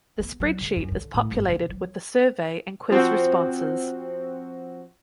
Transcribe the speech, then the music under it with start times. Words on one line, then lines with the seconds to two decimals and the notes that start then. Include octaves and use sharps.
The spreadsheet is populated with the survey and quiz responses.
0.19 B3
0.40 F#3
0.60 C#3
0.76 F#2
0.92 D3
1.14 A2
1.31 G1
1.49 C#3
1.69 F#3
2.90 F3 C4 F#4